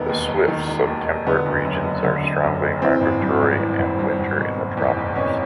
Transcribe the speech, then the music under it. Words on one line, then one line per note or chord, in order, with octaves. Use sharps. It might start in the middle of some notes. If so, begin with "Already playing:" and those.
The swifts of temperate regions are strongly migratory and winter in the tropics.
Already playing: E1 D#3 B3
D#2
E1
D#3
E1
D#2
E1
D3 B3
F#1
F#2
F#1
D3
F#1
F#2
F#1
E3 C4
G#1
G2
G#1
E3
G#1
G2
G#1
B2
F#1
E2
F#1
B2 C#4